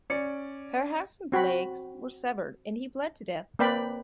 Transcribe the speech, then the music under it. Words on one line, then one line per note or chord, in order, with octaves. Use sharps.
Herrhausen's legs were severed and he bled to death.
C#4 D5 C#7
C4 F#4 G5 B5
A#3 C4 B4 D5 G5 B5